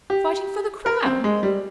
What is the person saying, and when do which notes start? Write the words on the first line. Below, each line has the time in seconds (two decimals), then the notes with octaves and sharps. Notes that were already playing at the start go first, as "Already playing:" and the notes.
'Fighting for the crown?'
0.10 G4
0.86 A#4
1.06 C4
1.24 G#3
1.43 G3